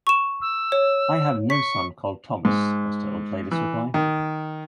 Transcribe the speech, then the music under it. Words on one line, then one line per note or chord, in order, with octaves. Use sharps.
'I have no son called Thomas' was the old lady's reply.
C#6 E7
E6
C#5
C#6 B6
G#2
E3
D#3